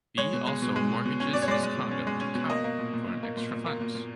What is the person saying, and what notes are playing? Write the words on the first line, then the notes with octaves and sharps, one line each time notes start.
Bee also mortgages his condo to Kau for an extra funds.
G#3 C#5
B2
G#3
B2
G#3
B2
B2
C#4
B2 D5
C#5
G#3 D5
G#3
B2
C#4
G#3
C#4
B2
A#3 D#5
A#3
A#2
A#2
A#2
A#3
A#2
A#2
A#3
A#2
A#2